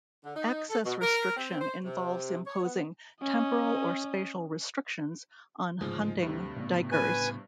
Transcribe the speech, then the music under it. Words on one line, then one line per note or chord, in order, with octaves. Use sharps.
Access restriction involves imposing "temporal or spatial restrictions" on hunting duikers.
D3
D#4
A4
B2
A#4
C4
C5
C3
C#5
B3
C#4 D#5
D1 G#2 C#3 F3 G#3
D2 G2 C3
A2 C#3 B3
B4 G#5